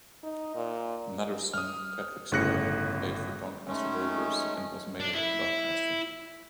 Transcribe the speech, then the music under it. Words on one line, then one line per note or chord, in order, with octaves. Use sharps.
Another son, Patrick Stirling played for Doncaster Rovers and was Mayor of Doncaster.
D#4
A#2
D#6 F6
G1 A2 C#3 F#6 A#6 C#7
D#3 G#3 A3 C#4
D4
E4